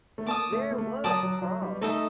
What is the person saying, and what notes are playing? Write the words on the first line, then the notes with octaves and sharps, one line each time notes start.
There was cause.
A3
A#3 D5 A5 D#6
A3
A#3
A3
F#3 D5 A5 D#6
F#3
F#3
G3
A3 D#4 A4 D#5